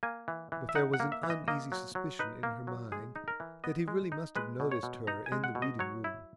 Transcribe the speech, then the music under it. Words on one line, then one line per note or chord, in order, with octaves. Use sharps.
But there was an uneasy suspicion in her mind that he really must have noticed her in the Reading-room.
A#3 G#5
E3
E3
E5
D#4 F#5
F#5
A#3
E5
E3
D#5
A#3 D#5
F#3
F#3
D#4 B4
A#3
F#3
G#3 G#4
D#4
A#4
E3
B3 D#5
G#3
D#4
G#3 B4
B2
C#5
B2
D#4 A#5
G#5
G#3
F#5
B2
D#5
F#3 C#5
E4